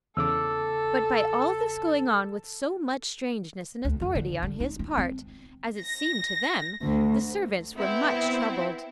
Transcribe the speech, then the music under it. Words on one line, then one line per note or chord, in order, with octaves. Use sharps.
But by all this going on with so much strangeness and authority on his part, as it seemed to them, the servants were much troubled.
E2 C#3 A4 D6 E6
D2
F2
D3
D3
D#4
F4
C4
A#6
D2
B3 C4 E4